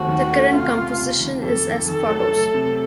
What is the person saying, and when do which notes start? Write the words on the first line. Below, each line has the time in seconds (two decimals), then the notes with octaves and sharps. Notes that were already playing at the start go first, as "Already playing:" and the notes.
The current composition is as follows.
Already playing: D#2 A3 C4 F#4
0.08 D#3
0.31 A3
0.53 C3 F4
0.76 C#2
0.98 C3
1.20 D#3
1.42 F2 A4
1.65 D#3
1.87 D#3 A4
2.09 F#3
2.32 A3
2.54 C3